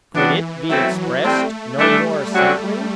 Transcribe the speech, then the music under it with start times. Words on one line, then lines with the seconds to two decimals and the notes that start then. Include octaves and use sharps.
Could it be expressed no more simply?
0.14 G2 E3 F#3 B3 D4
0.69 B2 F#3 A3 C4 E4
1.23 A2 G3 A3 C4
1.78 E3 G3 A3 D4 A4
2.33 F#2 D3 F#3 C4 F#4